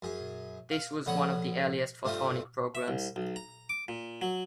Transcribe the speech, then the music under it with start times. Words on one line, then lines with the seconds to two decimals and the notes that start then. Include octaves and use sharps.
This was one of the earliest photonic programs.
0.02 F#2 G#4
0.71 F5
1.06 A#1 D3 B3 C#5 F#5 D#6
2.05 G2 A3 C4 F4 E5 D#6
2.75 E5
2.88 C2
3.16 B1
3.36 A#5
3.69 D6
3.88 A#2
4.22 F#3